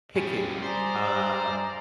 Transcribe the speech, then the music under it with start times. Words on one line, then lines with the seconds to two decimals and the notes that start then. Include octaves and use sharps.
picking, uh,
0.16 G3 C#4
0.62 G3 C5 D5 G#5 A#5 D#6